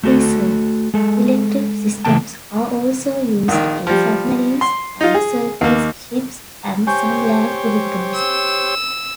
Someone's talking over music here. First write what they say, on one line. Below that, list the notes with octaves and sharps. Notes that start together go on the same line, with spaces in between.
Diesel-electric systems are also used in submarines and surface ships and some land vehicles.
A3 F#4 A4
G#3 A4
C#3 E3 G#3 A#3 G5 A5
A#1 D#3
F3 G3
C6
D#4 F4
G#4
D#2 A#3
G4 C5 C#5 G#5 C#6 G6
E6